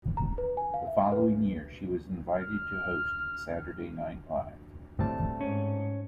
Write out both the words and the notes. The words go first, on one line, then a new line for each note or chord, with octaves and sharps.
The following year she was invited to host "Saturday Night Live".
A#5
B4
G#5
F5
E5
B4
F6
A2 G3 A3 C4 A5
G#2 C#4